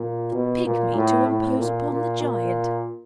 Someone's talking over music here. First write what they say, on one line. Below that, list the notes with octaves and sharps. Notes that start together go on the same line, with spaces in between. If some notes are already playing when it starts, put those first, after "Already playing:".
The pigmy to impose upon the giant.
Already playing: A#2
B2
A#2
A2
A2
A#2
A#2
A#2